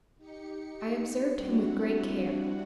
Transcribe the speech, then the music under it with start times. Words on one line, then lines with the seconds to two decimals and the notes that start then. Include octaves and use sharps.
I observed him with great care.
0.17 D#4 G4 C#7
1.35 G3 C4 D4 E4 F#4 F#5